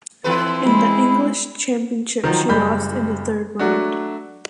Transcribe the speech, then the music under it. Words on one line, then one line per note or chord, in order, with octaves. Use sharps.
In the English championship she lost in the third round.
E3 C4 E4 A4 B4
G#3 B5
D#3 F3 F#3
F#1 G3 G#3 B5 G6
F#3 A3 D4 F#4